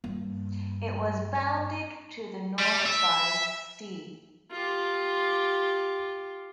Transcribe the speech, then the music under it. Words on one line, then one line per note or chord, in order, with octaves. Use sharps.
It was bounded to the north by Ste.
G2 A#3
G3
E5
F4 G4